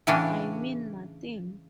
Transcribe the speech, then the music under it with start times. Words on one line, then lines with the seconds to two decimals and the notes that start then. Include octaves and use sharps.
I mean nothing.
0.07 A2 C#3 E3 C#4 D4